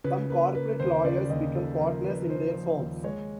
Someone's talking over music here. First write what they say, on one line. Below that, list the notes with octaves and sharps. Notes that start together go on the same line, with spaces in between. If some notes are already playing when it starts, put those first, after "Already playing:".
Some corporate lawyers become partners in their firms.
C#3 B4
A#3 B4
A#3 B4
D#2 C5
C#3 D5
D#2 D#5
D#2 A4
F3 A#4
F3 B4
F3 C5
F3
D#2
G#3 C#5